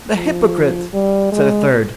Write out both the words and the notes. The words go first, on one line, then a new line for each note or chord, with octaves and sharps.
"The hypocrite!" said a third.
F3
G3
G#3